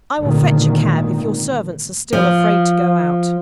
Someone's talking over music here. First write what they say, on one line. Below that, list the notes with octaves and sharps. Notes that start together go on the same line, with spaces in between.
I will fetch a cab, if your servants are still afraid to go out.'
G#1 D2 A#2 D3 D#3
F3